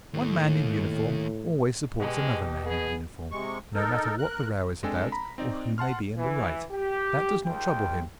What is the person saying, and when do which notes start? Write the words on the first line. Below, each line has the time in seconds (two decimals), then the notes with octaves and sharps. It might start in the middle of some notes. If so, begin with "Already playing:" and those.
One man in uniform always supports another man in uniform, no matter what the row is about, or who may be in the right--that does not trouble him.
0.14 D#2 A2
2.00 B2 G#3 G4
2.65 B3 G#4
3.31 C3 G#3 C#6
3.74 D#4 A4 A#4
4.19 A#4 F#6
4.83 G#3 C4 D4 A4 G5 G#5
5.12 A#5 B5
5.38 C4 D#4 D5
5.78 F#5 A5 C6 F6
6.18 E3
6.72 G4
7.46 D#2 G#3 F4 G5